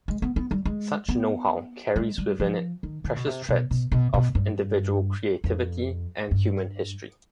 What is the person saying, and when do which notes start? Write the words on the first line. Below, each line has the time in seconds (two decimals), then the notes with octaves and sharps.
Such know-how carries within it precious threads of individual creativity and human history.
0.08 G#3
0.22 B3
0.36 B3
0.51 G3
0.65 G#3
1.09 B3
1.96 G#3
2.18 G3
2.40 F3
2.83 D#3
3.04 D3
3.16 B2
3.27 C3
3.49 B2
3.71 B2
3.92 B2
4.14 B2
4.35 G2
5.44 F2
6.31 G2